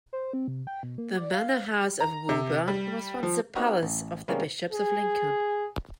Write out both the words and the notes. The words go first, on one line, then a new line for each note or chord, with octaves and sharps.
The manor house of Wooburn was once a palace of the Bishops of Lincoln.
C5
C4
C3
G5
B2
A#3
D5
F5
A#5
C3
G3
F3
B3 C4 D#4 F#4 G4 A#4
A1
C3 D#3 G3 G#3 A#3 C#4
G#4